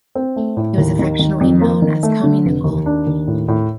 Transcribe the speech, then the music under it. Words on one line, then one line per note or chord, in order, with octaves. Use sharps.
He was affectionately known as Tommy Nicol.
C4
A3
A2
D#2
D#3
D#3
F2
A#3
D#3
A3
D3
F1
D#2
D4
D#2
A2
A2